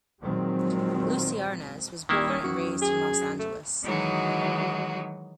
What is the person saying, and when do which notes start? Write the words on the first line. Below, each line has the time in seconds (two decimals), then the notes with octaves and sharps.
Lucie Arnaz was born and raised in Los Angeles.
0.22 A#2 D#3 F3 F#3 G#3 C4
2.09 D#1 D#3 A#3 E4
2.30 C#4
2.44 F#2 F#4
2.82 G#4
3.39 A3
3.84 D#3 E3 F#3 G#3 D#4 F#4